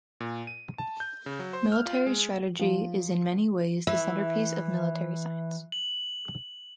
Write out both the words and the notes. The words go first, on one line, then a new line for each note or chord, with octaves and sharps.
Military strategy is in many ways the centerpiece of military science.
A#2
D#7
A5
G6
C#3
F#3
C5
F6
F4
G#3
F3
E3 E5
F#7